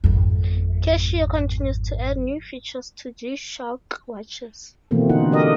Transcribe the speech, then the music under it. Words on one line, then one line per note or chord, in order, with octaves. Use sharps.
Casio continues to add new features to G-Shock watches.
G#1 F2
B2 E3 F3 A3 A#3 C4
D3 D#4 F4 F#5
F#4 G4 A#4 D#5